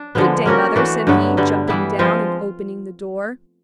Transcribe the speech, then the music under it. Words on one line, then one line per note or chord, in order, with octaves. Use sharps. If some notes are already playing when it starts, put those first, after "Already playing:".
'Good day, mother,' said he, jumping down and opening the door.
Already playing: D4
D3 F3 G#3 B3
A#3 C#4 F#4 A#4
E3 A3 D4 F#4
G2 D3 F#3 B3
D3 G3 B3
E3 G3 B3 E4
F3 G#3 C4 F4